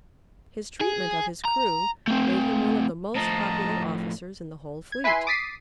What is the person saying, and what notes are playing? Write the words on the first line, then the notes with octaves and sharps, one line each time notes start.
His treatment of his crew made him one of the most popular officers in the whole fleet.
G#4
A#5
A3 C4
A2 F3 D#5 A5 A#5
G#6
E4 B4 E5 G#5 C6
D6 D#6 A6 B6 C7 D#7